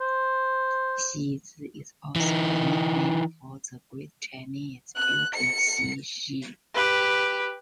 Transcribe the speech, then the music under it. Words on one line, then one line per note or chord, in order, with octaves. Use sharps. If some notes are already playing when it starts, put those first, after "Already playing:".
Xizi is also a nickname for the great Chinese beauty Xi Shi.
C5
E3 D#4
F#6
C#7
G4 B4